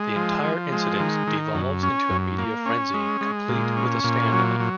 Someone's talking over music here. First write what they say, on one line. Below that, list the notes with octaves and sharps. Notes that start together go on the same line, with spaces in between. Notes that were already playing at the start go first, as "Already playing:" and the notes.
The entire incident devolves into a media frenzy complete with a stand off.
Already playing: G#3
F3
F3
G#3
D#3
D#3
F#2
C#4
F#2
A#3
C#4
G#3
G#3
A#2
C#4
A#2
F#3
F#3